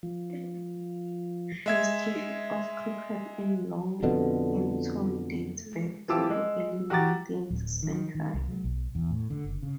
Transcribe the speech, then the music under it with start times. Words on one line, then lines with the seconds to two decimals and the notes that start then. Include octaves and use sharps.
History of cricket in Long Eaton dates back to the early nineteenth century.
0.03 F3
1.66 G#3 E5 G#6
4.03 F2 B2 D3
6.08 E3 F3 F4 G4 D6 E6
6.30 G#3
6.90 F#4 G4 A#5 D6 A6
7.50 D1
7.83 D#3
8.15 D#3
8.34 C2
8.49 F#3
8.64 B1
8.95 E2
9.11 A2
9.30 D3
9.44 F#1
9.63 C#3